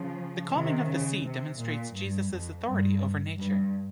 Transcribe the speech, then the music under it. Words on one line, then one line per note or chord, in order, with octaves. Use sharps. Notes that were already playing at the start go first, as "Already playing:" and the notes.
The calming of the sea demonstrates Jesus' authority over nature.
Already playing: C#3 F3
C3 D#3
C#3
C3
A#2
G2
F2
G2
G2